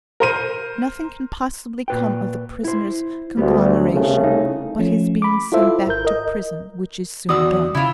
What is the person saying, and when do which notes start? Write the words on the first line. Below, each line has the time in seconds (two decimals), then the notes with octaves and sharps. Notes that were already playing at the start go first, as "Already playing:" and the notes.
Nothing can possibly come of the prisoner's conglomeration but his being sent back to prison, which is soon done.
0.20 A#4 C5 D#7
1.88 A#2 B4 G5
2.64 E4 C5
3.37 D2 G3 B3
3.91 C2 C#3 A3
4.24 D#4
4.79 F3 A3 C#4
5.22 B5 D6
5.52 E4 F4 A4 C5 E5
5.87 G#1 A#4 G6
6.05 A#4 D#5
7.29 E2 F#4 D5 D#6 E6
7.75 C#3 E4 F4